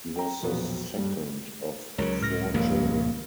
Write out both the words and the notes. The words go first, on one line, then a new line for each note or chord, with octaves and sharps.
He was the second of four children.
G5 A#5
E1 A#1 F3 F#3 B3
G2 G3
C#2 C#3 F#3 A#4 C#5
A2 F6 A#6
D#1 C#2 G2 F3 A#3